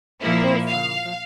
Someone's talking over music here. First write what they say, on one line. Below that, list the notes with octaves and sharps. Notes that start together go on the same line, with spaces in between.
Poor father!
A#2 F3 A#3 E4
F5